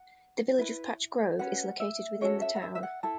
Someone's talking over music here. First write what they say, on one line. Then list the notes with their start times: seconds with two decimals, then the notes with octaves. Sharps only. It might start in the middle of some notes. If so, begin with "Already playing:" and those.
The Village of Patch Grove is located within the town.
Already playing: F#5
0.58 E4 B4
1.39 C#4 F#4 B4 F#5
1.80 E5
2.21 C#4 F#4 A4 C#5
2.42 E5
2.56 F#5
2.62 E5
2.75 E5
2.83 F#5
3.03 E4 A4 A5